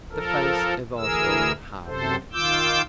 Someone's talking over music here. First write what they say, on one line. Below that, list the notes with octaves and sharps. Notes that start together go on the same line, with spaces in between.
The face of Oswald hardened.
F3 A4 A#4
D2 E3 G#4 A#4 E6
F#2 C3 A4 C5
D#3 F4 D6 E6 G6